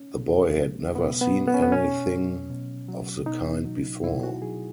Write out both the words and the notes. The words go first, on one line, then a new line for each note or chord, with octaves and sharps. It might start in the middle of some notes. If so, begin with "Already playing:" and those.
The boy had never seen anything of the kind before.
Already playing: C#4
B2
F#3
B2 B3
B3
F#3
B3
C#4
B3
B2 C#4
F#3
B2
F#3
B2 D#4
F#3
B2 E4
F#4
F#3 G#4